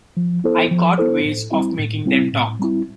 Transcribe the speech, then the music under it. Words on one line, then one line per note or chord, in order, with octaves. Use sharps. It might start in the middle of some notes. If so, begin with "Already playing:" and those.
I got ways of making them talk.
F3
B3 E4 A4 C5
F3
B3 E4 A4 C5
A2
G3 C4 E4
A2
G3 C4 E4
A2
G3 C4 E4